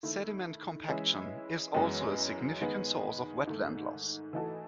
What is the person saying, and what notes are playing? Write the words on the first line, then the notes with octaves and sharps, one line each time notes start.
Sediment compaction is also a significant source of wetland loss.
D#3 A3 E4
E3 G#3 C#4 E4
F#2 E3 G#3 B3
D#3 G#3 B3
G#2 D#3 A3
E3 A3 D#4 F#4 A4